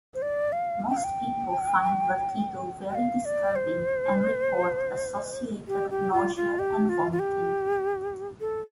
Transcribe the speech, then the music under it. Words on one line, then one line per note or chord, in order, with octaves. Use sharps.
Most people find vertigo very disturbing and report associated nausea and vomiting.
C5
D5
F5
G5
F5
G5
G5
F5
D5
C5
G4
G4
F4
F4
G4
F4
F4
G4
A4